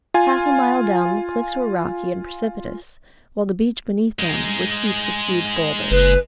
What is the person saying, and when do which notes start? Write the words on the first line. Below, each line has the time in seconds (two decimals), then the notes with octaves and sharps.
Half a mile down the cliffs were rocky and precipitous, while the beach beneath them was heaped with huge boulders.
0.14 F4 G#5
4.19 G#3 D#4
5.91 F#1 B4